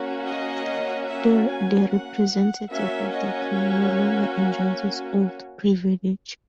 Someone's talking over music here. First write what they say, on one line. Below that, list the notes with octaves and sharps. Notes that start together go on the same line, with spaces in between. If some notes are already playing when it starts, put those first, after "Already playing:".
The representative of the king no longer enjoys his his old privilege.
Already playing: A#3 C#4 F#4
D#5
E5
G#5
F#5
A#3 C#4 F#4 E5
D#5
C#5